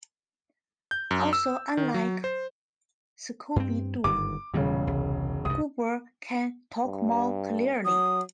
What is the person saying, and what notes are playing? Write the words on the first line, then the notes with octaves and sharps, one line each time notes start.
Also unlike Scooby-Doo, Goober can talk more clearly.
G6
F#2
E6
D#3
F#3
C5
G2 C4
G1 G#2 D#3 D6
E1 A#2 C#3 G3
C2
C2 G2 D#6
G2
F#3 D#6